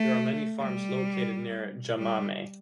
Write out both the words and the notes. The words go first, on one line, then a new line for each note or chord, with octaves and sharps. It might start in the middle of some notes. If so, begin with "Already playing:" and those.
There are many farms located near Jamame.
Already playing: A3
G3
G3